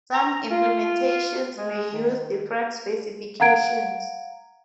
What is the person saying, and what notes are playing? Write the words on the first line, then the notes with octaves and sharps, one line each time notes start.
Some implementations may use different specifications.
A#5
F4
G#3
D#3
F5 F#5 A#5 G#6 D7